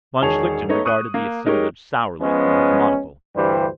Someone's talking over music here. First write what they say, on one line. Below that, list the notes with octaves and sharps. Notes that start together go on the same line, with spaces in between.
Von Schlichten regarded the assemblage sourly through his monocle.
E1 D#3 G#4 C#5 A5 F7
A3 B3 D#4 C#5 D#5
C#6 D#6 F#6 D#7
A#3
G#3 D#4 G4 A#4 C#5
F3 G#3 B3 C#4
D2 G2 E3 G3 G4 C5